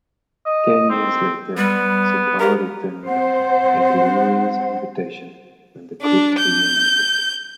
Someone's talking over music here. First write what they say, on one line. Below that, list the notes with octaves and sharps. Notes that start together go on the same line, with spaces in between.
Ten years later, Segel returned at Lowery's invitation when the group reunited.
D#5
C4
G3 B3
G4 A#4
C4 C5 F#5
D4
G6